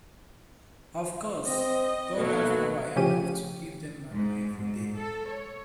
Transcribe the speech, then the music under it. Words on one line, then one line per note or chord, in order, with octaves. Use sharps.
Of course, God had power enough to give them manna every day.
C4 D#5
B2 D#3 F#3 A3 A#3 B4
A2 C#3 F3 C#4 G4 D#7
G#2
G#2
A4
C#5